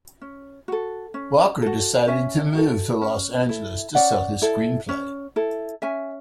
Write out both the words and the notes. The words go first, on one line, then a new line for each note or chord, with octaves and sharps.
Walker decided to move to Los Angeles to sell his screenplay.
C#4
F#4 A4
C#4
F#4 A4
C#4 E5 G#5
F#4 A4
C#4
E4 A4
C#4 D5 F#5
E4 A4
C#4
E4 A4
C#4 E5 G#5